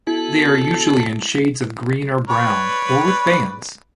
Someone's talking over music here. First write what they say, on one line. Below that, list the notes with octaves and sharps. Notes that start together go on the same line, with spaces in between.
They are usually in shades of green or brown or with bands.
B3 E4 F#4 A4
B4 C#5 D5